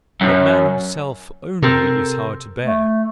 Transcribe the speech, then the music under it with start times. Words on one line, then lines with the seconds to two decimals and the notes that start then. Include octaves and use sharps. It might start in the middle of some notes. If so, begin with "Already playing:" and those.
But man himself only is hard to bear!
0.21 F#2
1.62 C3 C4 A4 A#4
2.63 A3